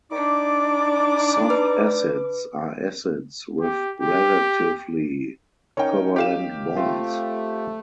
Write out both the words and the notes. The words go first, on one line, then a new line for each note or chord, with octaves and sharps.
Soft acids are acids with relatively covalent bonds.
D4 D#4 D5 D6
B4
G4
G4
C#4 D#4 A#4 C#5 G5
G4 F5 E7
A3 C4 F4 C5